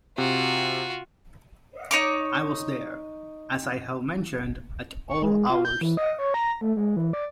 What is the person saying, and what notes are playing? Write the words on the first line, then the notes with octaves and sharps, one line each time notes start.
I was there, as I have mentioned, at all hours.
C3 F4 F#4
D#4 C#5 D6
C#6
G#3
F4
G6
E3
D#5
C#5
A#5
A3
G#3
E3
D5